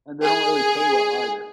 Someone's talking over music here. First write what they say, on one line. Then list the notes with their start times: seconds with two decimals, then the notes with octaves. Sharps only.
And they don't really pay well either.
0.23 G#4